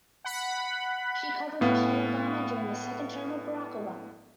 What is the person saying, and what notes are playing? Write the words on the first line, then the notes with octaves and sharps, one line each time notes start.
She covered Michelle Obama during the second term of Barack Obama.
F#5 B5
A2 B3 F5